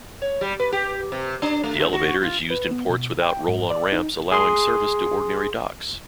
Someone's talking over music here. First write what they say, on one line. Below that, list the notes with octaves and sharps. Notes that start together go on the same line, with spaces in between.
The elevator is used in ports without roll-on ramps allowing service to ordinary docks.
C#5
G3
B4
G4
C3
D4
A3
A2
F#4
F4
B4
B3
B2
G5
G#2
D5
D#4
G#4 C6